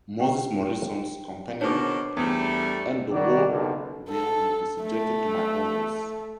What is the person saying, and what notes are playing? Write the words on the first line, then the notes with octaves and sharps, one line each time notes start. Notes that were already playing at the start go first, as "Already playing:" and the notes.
Moses Morrison’s Company and the whole will be subject to my orders.
G4 G5
B2 D#3 D4 D#4 G#4 C5 C#5 D6
E2 G3 A3
D#3 F#3 G3 D#4 D5
F#1 B1
A4
A3